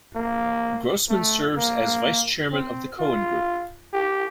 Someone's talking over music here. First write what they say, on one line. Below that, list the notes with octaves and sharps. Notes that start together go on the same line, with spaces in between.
Grossman serves as Vice Chairman of the Cohen Group.
A#3
A3
A#3
C4
F4
G4